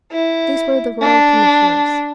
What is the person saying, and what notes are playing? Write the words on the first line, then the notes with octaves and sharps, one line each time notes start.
These were the Royal Commissioners.
E4
D4